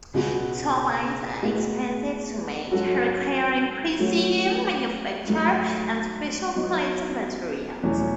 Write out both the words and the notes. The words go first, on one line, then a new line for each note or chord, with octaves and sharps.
Turbines are expensive to make, requiring precision manufacture and special quality materials.
C#2 B2 G#3 B3 F#4
A2 G#3 B3 F#4
G#2 F#3 C#4 F#4 A4
F#3 A3 C#4 F#4
G#2 F#3 A3
F#3 B3 D#4
E2 B2 F#3 A3 C#4